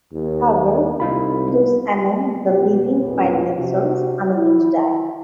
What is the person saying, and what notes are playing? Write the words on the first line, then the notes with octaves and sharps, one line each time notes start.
However, those among the living find themselves unable to die.
D#2
C2 D#4 F4 B5
B2 G4
A#1 E2 B2 B3 C#4
C3 F#4
E4